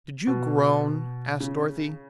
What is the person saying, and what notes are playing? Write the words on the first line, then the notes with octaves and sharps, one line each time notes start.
"Did you groan?" asked Dorothy.
B2
C#3